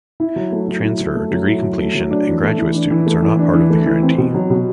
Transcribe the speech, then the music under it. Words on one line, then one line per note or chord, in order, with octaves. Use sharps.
Transfer, degree completion and graduate students are not part of the guarantee.
E4
F#3
A3
F#3
E4
F#3
A3
F#3
E4
F#3
A3
F#3
D4
E3
A3
E3
D4
E3
A3
E3
D4
E3
A3
E3
C4
B2
F#3
B2